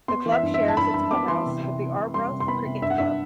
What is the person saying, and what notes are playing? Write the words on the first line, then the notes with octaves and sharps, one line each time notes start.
The club shares its clubhouse with the Arbroath Cricket Club.
B3 C6
E3
E5
G2
E5
G2
A5
G2 B5
G2 B5
B3 D6
E3 C6
C3
C3
C3
C3
G3 C6
C3
C6
B3 B5
C3
G2 E5
F#5
G2 E5